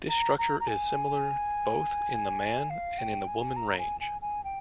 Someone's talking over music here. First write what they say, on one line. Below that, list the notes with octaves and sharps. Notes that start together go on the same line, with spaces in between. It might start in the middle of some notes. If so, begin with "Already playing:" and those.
This structure is similar both in the man and in the woman range.
A#5
A#5
A#5
G#5
F5
G5
G#5
A#5
G#5
G#5
G#5
G5